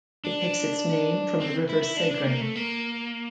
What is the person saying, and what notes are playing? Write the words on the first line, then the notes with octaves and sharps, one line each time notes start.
It takes its name from the river Segre.
D4
C4
E4
E4
D4
D4
A#3
A3
A#3